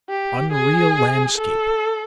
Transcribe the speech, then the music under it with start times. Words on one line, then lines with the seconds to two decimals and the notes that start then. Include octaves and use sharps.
Unreal landscape!
0.09 G4
0.52 G#4
1.37 A4